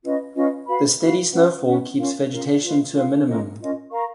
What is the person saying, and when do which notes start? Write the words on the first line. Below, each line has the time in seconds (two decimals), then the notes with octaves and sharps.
The steady snowfall keeps vegetation to a minimum.
0.03 C#4 F4 B4 D#5
0.35 C#4 F4 B4 D#5
0.67 F#4 B4 F5 B5
1.00 F#4 B4 F5 B5
1.32 C#4 F#4 B4 F#5
1.65 C#4 F#4 B4 F#5
1.97 C#4 F4 A#4 F5
2.30 C#4 F4 A#4 F5
2.62 F4 B4 F5
2.94 F4 B4 F5
3.27 C#4 F4 A#4 D#5
3.59 C#4 F4 A#4 D#5
3.91 A#4 F5 A#5 C#6